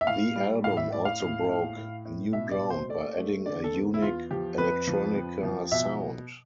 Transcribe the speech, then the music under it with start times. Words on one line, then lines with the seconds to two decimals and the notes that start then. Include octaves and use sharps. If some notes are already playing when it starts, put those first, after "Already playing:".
The album also broke new ground by adding a unique electronica sound.
0.01 E5
0.07 A2 F5
0.36 G3
0.64 A2 F5
0.77 E5
0.91 A2 D5
1.05 F5
1.20 A2
1.49 A2
1.76 A2
2.05 A2
2.32 B2 E5
2.51 D5
2.61 B2
2.70 C5
2.89 A3 D5
3.18 A3
3.46 D3 D5
3.64 A4
3.74 E2
3.94 E4
4.02 E2 F4
4.31 F3 G4
4.58 F2 B4
4.87 F3
5.15 F2
5.43 F3
5.72 B2 E5